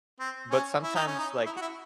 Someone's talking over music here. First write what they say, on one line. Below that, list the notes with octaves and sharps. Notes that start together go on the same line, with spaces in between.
but sometimes, like,
C4
C#4
E4
D#4
C#4
D#4
E4
F#4
E4